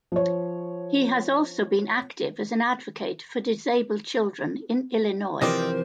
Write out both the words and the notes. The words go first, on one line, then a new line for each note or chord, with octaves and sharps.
He has also been active as an advocate for disabled children in Illinois.
F3 C#5
C3 E3 F3 C4 A#4 D5 D#5